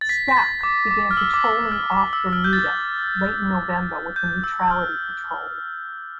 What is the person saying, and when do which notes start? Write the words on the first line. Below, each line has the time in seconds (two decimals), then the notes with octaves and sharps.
"Stack" began patrolling off Bermuda late in November with the Neutrality Patrol.
0.01 A6
0.09 B6
0.28 B6
0.37 A6
0.63 D6
0.91 D6
1.11 F6
1.17 E6
1.34 D6
1.45 E6
1.72 F6
1.92 D6
2.13 E6
2.33 F6
2.44 G6
2.53 A6
4.16 G6
4.44 E6
4.70 F6